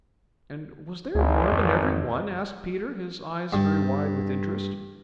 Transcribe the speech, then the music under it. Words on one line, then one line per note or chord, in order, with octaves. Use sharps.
"And was there a worm in every one?" asked Peter, his eyes very wide with interest.
G#1 D2
F2
G2